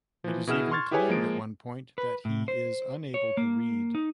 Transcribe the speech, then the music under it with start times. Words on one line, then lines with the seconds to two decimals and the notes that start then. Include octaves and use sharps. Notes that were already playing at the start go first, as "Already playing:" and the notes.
It is even claimed at one point that he is unable to read.
0.24 E3 F3
0.47 B2 E4 G#4 F#5 F6 E7
0.71 C6 C#6 F6 G#6 A6
0.91 E4 G4 G#4 B4 C#5 G#5
1.09 F3 G#3 A#3 D7
1.98 B4
2.25 A2
2.48 C5
3.14 C#5
3.37 A#3
3.95 D#4